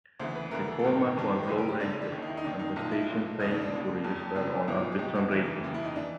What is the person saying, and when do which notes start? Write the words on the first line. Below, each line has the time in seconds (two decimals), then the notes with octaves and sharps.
The format was low-rated, and the station failed to register on Arbitron ratings.
0.20 D2 C#3 E3 C5
0.35 B4
0.51 D2 C#3 E3 A#4
0.68 A4
0.79 A4
0.83 A1 G2 D#3 A#4
1.16 A1 G2 D#3
1.43 C5
1.47 F#1 F#2 C#3 B4
1.58 A#4
1.69 G4
1.80 F#1 F#2 C#3 D4
1.90 C#4
2.01 D4
2.12 D#2 D#3 C#4
2.22 D#4
2.27 E4
2.37 D#4
2.44 D#2 D#3 D4
2.59 D#4
2.76 B1 A#2 F3 D#4
2.92 E4
3.08 B1 A#2 F3
3.39 E1 D#2 C#3 D#4
3.51 D4
3.61 D4
3.71 E1 D#2 C#3
4.04 F#1 F2 C#3
4.35 F#1 F2 C#3 D4
4.68 C#2 B2 E4
4.78 F4
4.92 G#4
4.99 C#2 B2 G4
5.15 F#4
5.31 F1 D#2 C#3 E3
5.63 F1 D#2 C#3 E3
5.74 E4
5.85 D#4
5.96 E3 D4